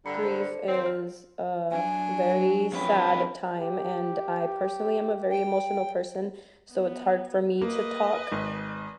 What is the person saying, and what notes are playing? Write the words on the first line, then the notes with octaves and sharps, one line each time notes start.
grief is a very sad time, and I personally am a very emotional person, so it's hard for me to talk,
G2 D3 A#5 B5 C#7
A4 C5 A5
D5 C#7
D#3 C4
F6
F#3 D4 G#5
F2 C#4 B4
G4
G5
B3
A#3 B4 D#5
G#1